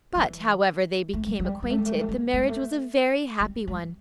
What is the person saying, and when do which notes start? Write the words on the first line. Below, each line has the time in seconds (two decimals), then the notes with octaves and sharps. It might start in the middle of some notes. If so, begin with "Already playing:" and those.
But however they became acquainted the marriage was a very happy one.
0.15 F#3
0.20 E3
1.13 A3
1.26 G3
1.39 F#3
1.45 G3
1.63 G3
1.70 A3
1.78 G3
1.86 A3
1.94 G3
2.01 A3
2.09 G3
2.33 A3
2.40 G3
2.48 A3
3.41 G3
3.68 G3